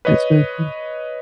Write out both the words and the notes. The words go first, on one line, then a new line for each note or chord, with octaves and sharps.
That's really cool.
B4 C#5 D#5